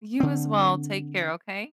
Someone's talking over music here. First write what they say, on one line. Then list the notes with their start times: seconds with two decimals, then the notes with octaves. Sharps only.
You as well. Take care, okay?
0.20 D3 C4